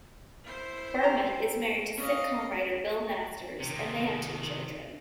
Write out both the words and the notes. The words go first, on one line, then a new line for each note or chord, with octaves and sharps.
Berman is married to sitcom writer Bill Masters and they have two children.
E4 C5
G4 A#5
C#4 D#5 F5
C3 D#3